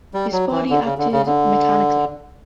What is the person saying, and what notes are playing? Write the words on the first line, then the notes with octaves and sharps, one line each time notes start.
His body acted mechanically.
G3
F#3
E3
D3
C#3
D3
C#3
D3